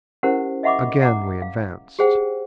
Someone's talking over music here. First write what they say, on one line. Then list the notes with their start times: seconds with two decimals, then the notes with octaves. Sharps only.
Again we advanced.
0.23 C#4 E4 G4 A#4 C5 F#5
0.63 D#5 E5 F#5 B5 C#6 D6
1.02 F#5 A#5 D6
1.42 F5
1.99 G4 G#4 C5 F#5 G5